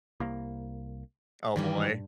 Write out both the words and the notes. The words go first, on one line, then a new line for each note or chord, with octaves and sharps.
Oh, boy.
C2 A#3
G2 D#3 E3 G3